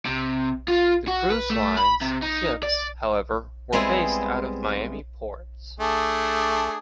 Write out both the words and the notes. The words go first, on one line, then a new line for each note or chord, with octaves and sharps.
The cruise line's ships, however, were based out of Miami ports.
C3
F4
F#4
B4
A3
B5
C3
D#4
D5
G3 G#3 B3 C4 E4 G#4
A3 D4 G#4